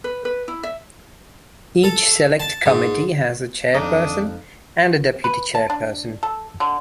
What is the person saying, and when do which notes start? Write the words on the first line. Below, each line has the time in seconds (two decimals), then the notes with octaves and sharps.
Each select committee has a chairperson and a deputy chairperson.
0.04 B4
0.25 B4
0.48 E4
0.63 E5
1.84 A4
2.40 A5
2.66 G#2
3.74 F2 D4 D#4 D#6
5.24 B4
5.55 A5
5.70 D4
6.23 A4
6.60 D3